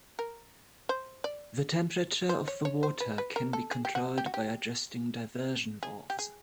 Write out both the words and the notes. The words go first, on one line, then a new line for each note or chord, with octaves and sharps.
The temperature of the water can be controlled by adjusting diversion valves.
A#4
C5
D5
C5
C#5
C#5
C5
B4
B4
A#4
A4
G#4
G4
F#4
G4
F#4
G4
G#4
G4
G#4